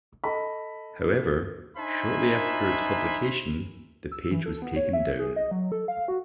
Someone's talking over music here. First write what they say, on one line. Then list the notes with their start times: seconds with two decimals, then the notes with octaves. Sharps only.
However, shortly after its publication, the page was taken down.
0.24 A4 D#5 B5
1.77 D4 D#4 C5 E5 G#5 B5
4.12 E6
4.31 E3
4.46 A4
4.62 B3
4.76 C#5
4.93 E5
5.19 G#4
5.36 D#5
5.51 F#3
5.72 A4
5.88 F5
6.08 F#4